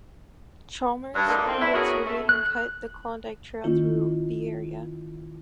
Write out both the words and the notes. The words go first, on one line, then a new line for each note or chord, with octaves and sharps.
Chalmers, who had surveyed and cut the Klondike Trail through the area.
G2
D3 A3 A#3 D4 D#4
A2 A#3 C4
D4 E4
B3 C#4 F#4 G#4 A#4
A3
F#6
D#3 A#3 C#4 E4 F4